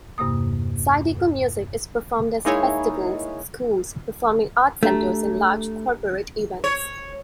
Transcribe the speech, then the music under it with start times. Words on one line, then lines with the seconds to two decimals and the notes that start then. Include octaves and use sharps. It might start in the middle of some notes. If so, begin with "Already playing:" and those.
Zydeco music is performed at festivals, schools, performing art centers and large corporate events.
0.18 E2 G2 C3 A#3 D#6
2.45 G#3 A#3 D#4 E4 G#4 C#5
4.83 A3 D4 G4 A#5
6.64 C#5